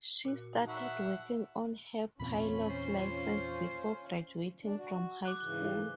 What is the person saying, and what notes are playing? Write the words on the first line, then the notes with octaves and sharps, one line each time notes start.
She started working on her pilot's license before graduating from high school.
A#2 F#4
D#4 A5 A#5
E5 F#5 B5 C#6
E2 A#2 C4 C#4 F4 B5
C5
D4
F#4
D6 F#6
G#2 C#3 E3 G7